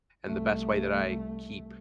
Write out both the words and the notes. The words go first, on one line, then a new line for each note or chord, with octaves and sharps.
And the best way that I keep
C2 A3